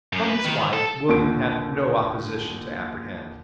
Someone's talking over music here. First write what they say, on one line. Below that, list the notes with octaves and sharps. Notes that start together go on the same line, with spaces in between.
From his wife William had no opposition to apprehend.
F#2
B4
D#3
A4
A#1 D#2 D3 D7